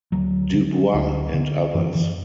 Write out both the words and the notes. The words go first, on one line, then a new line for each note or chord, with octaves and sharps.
Du Bois and others.
D2 F#3
D3
D2
D3
F#2 E3
E3